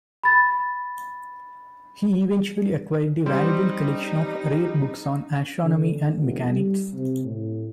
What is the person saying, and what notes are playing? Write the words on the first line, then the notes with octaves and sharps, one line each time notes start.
He eventually acquired a valuable collection of rare books on astronomy and mechanics.
B5 A6
G3 C4 D#4
D3
F1
G3
C3
A2